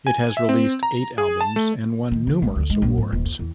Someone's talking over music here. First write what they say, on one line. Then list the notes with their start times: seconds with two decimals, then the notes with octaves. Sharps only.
It has released eight albums and won numerous awards.
0.07 G#5
0.37 E5
0.49 C4
0.83 A#5
1.18 G#4
1.41 A5
1.56 A3
2.11 D#3
2.27 D3
2.42 G#1
2.56 D2
2.70 G#3
2.82 A#1
2.98 G#2
3.12 D#1
3.25 F2
3.39 E2